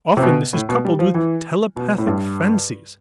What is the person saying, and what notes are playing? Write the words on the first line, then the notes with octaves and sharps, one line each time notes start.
Often this is coupled with telepathic fancies.
C3
B2
A2
B2
G3
F3
E3
B2
A2
G2